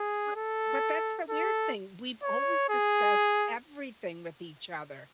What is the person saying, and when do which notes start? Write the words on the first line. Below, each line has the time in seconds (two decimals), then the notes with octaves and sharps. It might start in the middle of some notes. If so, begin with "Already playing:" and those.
But but that's the weird thing, we've always discussed everything with each other.
Already playing: G#4
0.36 A4
1.29 A4
2.23 C#5
2.69 G#4